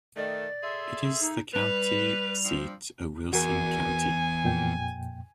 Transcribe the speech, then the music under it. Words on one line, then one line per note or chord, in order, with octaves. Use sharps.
It is the county seat of Wilson County.
D#3 A3 D5
G#4 A4 E5 C6
D#4
G3 B4 F7
F3 C4 D4
E2 F#4 A#4 G#5
F2 A#2 G5